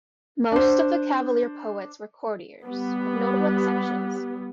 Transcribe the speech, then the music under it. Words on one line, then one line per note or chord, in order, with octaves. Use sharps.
Most of the cavalier poets were courtiers, with notable exceptions.
D4 C5
G3 B3